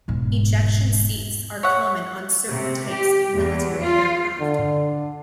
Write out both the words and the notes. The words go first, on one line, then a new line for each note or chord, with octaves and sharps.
Ejection seats are common on certain types of military aircraft.
E1 G#2
C#5 E5 F#5
C3
G4
E2
F4
D3